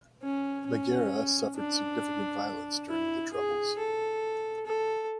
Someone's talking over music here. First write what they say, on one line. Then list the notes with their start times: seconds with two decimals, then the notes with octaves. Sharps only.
Maghera suffered significant violence during the Troubles.
0.23 C#4
0.67 C#4
1.56 D4
2.89 E4
3.34 G#4
3.78 A4
4.66 A4